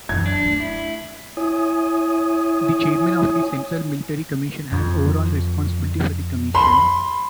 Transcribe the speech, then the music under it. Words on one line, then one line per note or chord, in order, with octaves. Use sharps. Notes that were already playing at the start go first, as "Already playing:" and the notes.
The Chairman of the Central Military Commission has overall responsibility for the commission.
F#2 E3 G#6
D4
A3
E4
E4 C#5 G#5 D#6
F2
B5 C6